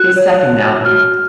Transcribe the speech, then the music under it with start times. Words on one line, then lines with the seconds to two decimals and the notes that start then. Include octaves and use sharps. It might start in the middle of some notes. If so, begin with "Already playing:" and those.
His second album.
Already playing: F#4 F#6
0.16 C#5
0.51 F#4
0.85 F#4 F6